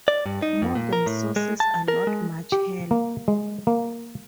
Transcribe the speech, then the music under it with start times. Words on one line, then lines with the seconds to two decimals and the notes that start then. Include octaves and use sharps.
Modern sources are not much help.
0.08 D5
0.26 G2
0.42 D#4
0.62 F2
0.75 A#2
0.93 A#4
1.06 A2
1.36 G#3
1.60 A5
1.88 A#4
2.07 G#3
2.52 G4
2.91 A#3
3.28 G#3
3.67 A#3